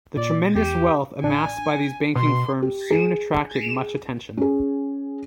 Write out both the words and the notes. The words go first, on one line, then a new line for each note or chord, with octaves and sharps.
The tremendous wealth amassed by these banking firms soon attracted much attention.
A#2 D5
E2 G4
A1 D4 G#5
B2 C6
G4
G#4
C#4 G#4